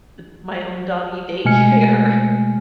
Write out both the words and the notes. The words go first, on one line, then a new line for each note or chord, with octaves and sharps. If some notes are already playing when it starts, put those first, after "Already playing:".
m my own doggy daycare.
B2 G#3 A3 G#5 F6 C#7